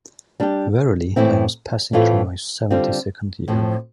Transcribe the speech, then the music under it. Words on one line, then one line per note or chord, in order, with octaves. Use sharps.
Verily I was passing through my seventy-second year.
G3 D4 G4
A2 E3 A3 C4 E4
A2 E3 A3 C4 F4
D3 G3 C4 F4
A2 F3 C4